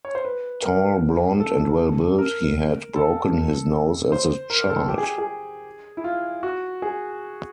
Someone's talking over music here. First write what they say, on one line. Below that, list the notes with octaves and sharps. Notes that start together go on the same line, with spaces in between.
Tall, blonde and well-built, he had broken his nose as a child.
C#5
C5
B4
A#4
A4
A#4
A4
C5
A#4
A4
G4
G#4
G#4
E4
F4
F#4
G#4